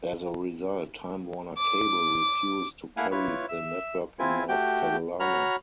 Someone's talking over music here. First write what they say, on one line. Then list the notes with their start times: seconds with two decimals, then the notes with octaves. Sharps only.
As a result, Time Warner Cable refused to carry the network in North Carolina.
1.57 D6
2.97 A3 A#3 E4 F5 F#5 G#5
3.11 E4 F4 B4 C#5
3.49 E5
4.19 C4 E4 F4 G#5
4.49 A3 F#4 G4 G5
5.20 F#4 C#5 A#5 B5 F6